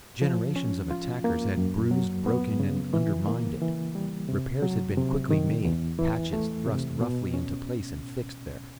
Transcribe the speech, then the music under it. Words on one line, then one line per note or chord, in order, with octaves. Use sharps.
Generations of attackers had bruised, broken, and undermined it. Repairs had been quickly made, patches thrust roughly into place and fixed there.
F3
C#4
F4
A#3
F#2
F#3
B3
C#3
E3
A#3
E3
G3
C3
F#3
C3
D#3
E2
E3
A3
C3
B2
C#4